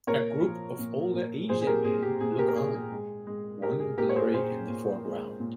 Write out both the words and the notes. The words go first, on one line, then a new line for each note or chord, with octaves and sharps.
A group of older Asian men look on, one blurry in the foreground.
A#2 A#4 C#5
F3
A#2
A#2
A#2 G#4 C5
G#4
G4 A#4
A#2 G#4
G4
A#2 G#4
G4 A#4
A#4
A#2 G#4
G#4
G#3
G#3
G#3 G4 A#4
G#4
A#2 G4 A#4
C#5
G#4 C5
A#2 G#4 C5
A#2
G#3
A#2